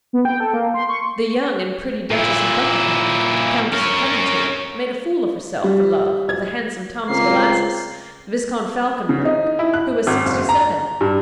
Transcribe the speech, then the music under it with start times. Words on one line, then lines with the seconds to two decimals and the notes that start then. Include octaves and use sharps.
The young and pretty Duchess of Buckingham, Countess of Coventry, made a fool of herself for love of the handsome Thomas Bellasys, Viscount Falconberg, who was sixty-seven.
0.13 B3
0.25 G5
0.40 A4
0.53 A#3
0.74 C6
0.89 C#6
2.11 A#2 E4
3.73 C#4 A#4
5.64 G3
6.29 G#6
7.09 C#2 A#3 C4 C7
9.09 C#3
9.25 D#4
9.59 E4
9.74 F#6
10.07 G#1
10.26 F#1
10.49 A#5
11.01 G2